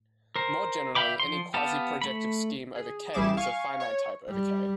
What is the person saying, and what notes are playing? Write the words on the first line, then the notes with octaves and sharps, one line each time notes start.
More generally, any quasi-projective scheme over "k" is of finite type over "k".
A#4 C5
E5 F5 G5 B5 D6
F3 C6
B3 G4 F5 A5
A3 B5
G#4
A1 G3 E4 G#4 D6 E7
F5 G#5 C#6
C#5
G3